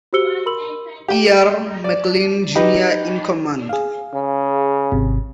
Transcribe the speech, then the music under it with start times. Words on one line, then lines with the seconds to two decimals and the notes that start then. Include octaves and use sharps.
E. R. McLean, Junior in command.
0.13 F#4 G4 C5 E6 C#7 G7
0.46 A#4 B5 C6 E6 F#7
1.08 G4 G5
1.84 D5
2.55 D#4 G4 B4
3.69 G#4 F5
4.14 C#3
4.92 G#1 C3